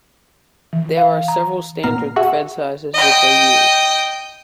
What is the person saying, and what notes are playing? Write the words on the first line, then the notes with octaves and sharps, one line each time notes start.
There are several standard thread sizes which are used.
E3
F5
A#5
A#2 B3 A#5 F6 C7
F#4 G#4 E5 F#5
D#5 G5